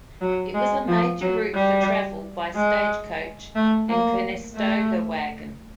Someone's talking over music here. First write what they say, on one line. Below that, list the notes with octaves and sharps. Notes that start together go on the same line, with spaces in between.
It was a major route for travel by stagecoach and Conestoga wagon.
F#3
G#3
F3
F#3
G3
G#3
A3
A#3
A3